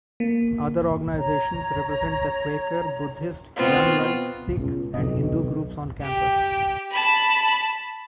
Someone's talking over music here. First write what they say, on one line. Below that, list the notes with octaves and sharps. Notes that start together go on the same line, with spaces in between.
Other organizations represent the Quaker, Buddhist, Young Life, Sikh, and Hindu groups on campus.
A#3
C#5 A#5
B2 B3 C4 F4
C#2 B2
B1 C3 F#3 D#5
G4 G5
A5 B5